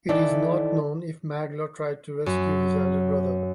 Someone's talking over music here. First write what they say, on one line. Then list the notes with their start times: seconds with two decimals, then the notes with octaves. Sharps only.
It is not known if Maglor tried to rescue his elder brother.
0.09 D#3 E3 E4 A4 D5
2.26 F#2